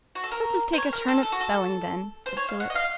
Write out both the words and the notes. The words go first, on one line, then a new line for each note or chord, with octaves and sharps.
'Let us take a turn at spelling, then,' said Philip.
F#4
A4
A#4
C5
C#5
A#4
A4
A4
F#4
A4
C5
C#5
F5
F#5
D#5
F5